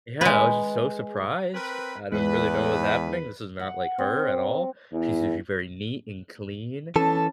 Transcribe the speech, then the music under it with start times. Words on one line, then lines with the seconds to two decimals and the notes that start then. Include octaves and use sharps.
yeah, I was just so surprised. I didn't really know what was happening. This is not like her at all. She's usually very neat and clean,
0.21 G#3 B4
1.53 C4 A#4 B4
2.12 E2 G#3 B4
3.59 F#5
3.98 C4
4.92 E2
6.96 E3 C#4 A4 A5